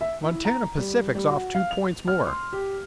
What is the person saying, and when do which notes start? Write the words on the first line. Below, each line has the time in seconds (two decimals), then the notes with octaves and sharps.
Montana Pacific's off two points more.
0.01 E5
0.23 E4
0.45 A#5
0.78 G3
1.15 G3
1.30 F#4
1.55 F5
1.71 F7
2.08 F6
2.27 C6
2.53 G4